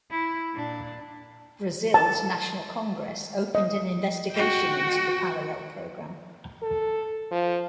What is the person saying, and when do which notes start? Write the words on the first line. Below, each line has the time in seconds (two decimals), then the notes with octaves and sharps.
Brazil's National Congress opened an investigation into the Parallel Program.
0.11 E4
0.55 A#2 D4
1.94 A5
3.55 D#5
4.31 F#4 G5
6.62 A4
7.31 F3